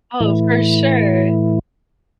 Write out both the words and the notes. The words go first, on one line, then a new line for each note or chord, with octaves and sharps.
Oh, for sure.
A2 E3